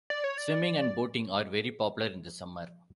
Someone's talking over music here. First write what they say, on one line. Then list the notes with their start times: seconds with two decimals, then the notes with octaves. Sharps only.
Swimming and boating are very popular in the summer.
0.10 D5
0.24 C#5
0.38 D5